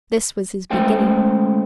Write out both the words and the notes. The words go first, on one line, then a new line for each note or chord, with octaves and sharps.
This was his beginning.
G#3 A3 C#4 C5 G5